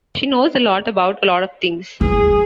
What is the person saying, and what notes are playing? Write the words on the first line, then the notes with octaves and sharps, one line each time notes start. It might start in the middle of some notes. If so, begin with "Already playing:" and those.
She knows a lot about a lot of things.
E3 G3 G#4